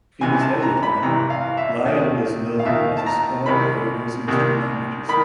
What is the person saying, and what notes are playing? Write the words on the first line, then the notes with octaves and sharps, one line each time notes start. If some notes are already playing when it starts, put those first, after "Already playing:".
In his leisure time Lyall was known as a scholar of various Eastern languages.
C2 C3 E3 G#5
A5
A#5
B5
C2 C3 E3 A#5
F5
E5
D#2 D#3
F5
D#2 D#3 E5
A5
A#5
C2 C3 D#3 B5
C2 C3 D#3
D#3 B5